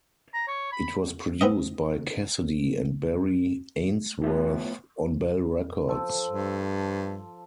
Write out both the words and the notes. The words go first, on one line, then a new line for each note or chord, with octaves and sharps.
It was produced by Cassidy and Barry Ainsworth on Bell Records.
A#5
C#5
B5
B3 C4 D#5
A2 F3 B3
F3 A4
G2